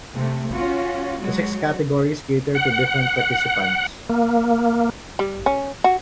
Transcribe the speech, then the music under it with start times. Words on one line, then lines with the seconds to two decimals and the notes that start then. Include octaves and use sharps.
The six categories cater to different participants.
0.15 C3 A3
0.53 C#4 F4 F#4
1.22 F#3 G#3 F#4
2.55 F#5
4.09 A#3
5.19 G3
5.46 C#4
5.84 F#4